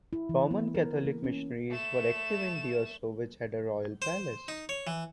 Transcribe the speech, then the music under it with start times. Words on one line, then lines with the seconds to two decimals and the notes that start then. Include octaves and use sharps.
Roman Catholic missionaries were active in Diosso, which had a royal palace.
0.13 E4
0.29 E3
0.51 B3
0.75 A#4
1.05 A#3
1.24 C#4
1.70 A3 E7
4.02 C5
4.48 D#4
4.69 C#5
4.87 E3